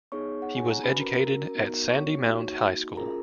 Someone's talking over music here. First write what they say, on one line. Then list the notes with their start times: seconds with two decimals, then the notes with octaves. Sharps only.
He was educated at Sandymount High School.
0.12 B3 D#4 G#4 C#5 C#6
0.42 F#5
0.56 G#5
0.70 A#5
0.83 C#4 F#4 B4 B5
1.01 A#4 A#5
1.19 A#4 A#5
1.55 B3 D#4 F#4
1.90 C#5 C#6
2.26 A#3 D#4 F#4
2.97 C#4 F4 G#4 A#4 A#5